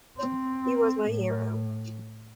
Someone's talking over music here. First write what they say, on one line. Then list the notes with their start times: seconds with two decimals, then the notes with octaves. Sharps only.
He was my hero.
0.18 C4
1.09 A2